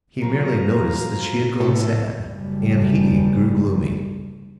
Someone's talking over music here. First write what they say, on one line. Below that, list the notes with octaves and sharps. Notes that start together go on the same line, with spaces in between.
He merely noticed that she had grown sad, and he grew gloomy.
A#2 F#3 F4 F#4 A4 C5 F5 A#5
A2 A3 A4 A5
F#1 G3